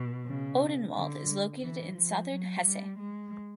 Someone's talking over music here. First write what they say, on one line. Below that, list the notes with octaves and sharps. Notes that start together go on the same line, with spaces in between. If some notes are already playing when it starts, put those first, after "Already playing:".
Odenwald is located in southern Hesse.
Already playing: B2
C#3
D3
E3
F3
F#3
G3
G#3